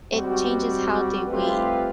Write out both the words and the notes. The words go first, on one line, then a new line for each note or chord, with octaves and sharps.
it changes how they wait,
G3 G#3 C4 F#4
G3 A3 C4 F4 G4 B4